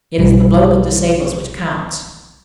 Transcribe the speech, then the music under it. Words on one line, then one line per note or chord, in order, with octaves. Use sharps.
It is the blow that disables which counts.
B1 G3